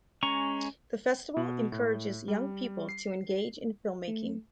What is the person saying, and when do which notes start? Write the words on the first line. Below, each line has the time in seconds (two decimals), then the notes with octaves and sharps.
The festival encourages young people to engage in filmmaking.
0.23 G#3 C#4 A#5 C#6
1.37 B2
1.72 A2
2.28 G3
2.89 C7
4.08 A3